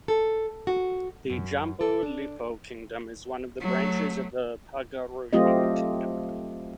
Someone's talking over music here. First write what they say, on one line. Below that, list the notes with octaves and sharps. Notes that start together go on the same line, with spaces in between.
The Jambu Lipo Kingdom is one of the branches of the Pagaruyung kingdom.
A4
F#4
F#2
A4
D4
F#3 A3
F#3 A3 C4 F4 G4 D#5